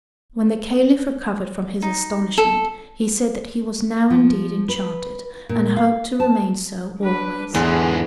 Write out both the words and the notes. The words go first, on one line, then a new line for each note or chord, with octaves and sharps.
When the Caliph recovered from his astonishment he said that he was now, indeed, enchanted and hoped to remain so always.
D#4
A4
F3
B4
A#2
F5
A5
D4 B4
E2 G#2 D3 E3 G#4 F#5 C6